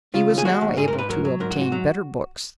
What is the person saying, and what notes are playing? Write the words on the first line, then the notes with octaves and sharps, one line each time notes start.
He was now able to obtain better books.
C#3 F4
D#2
G#4
G#3 F#4
D#2
G#2 G#4
A#4
G#2
B4
F#3 A#4
F#3
G#2 A#4
F#4
G#2
F#4
F#3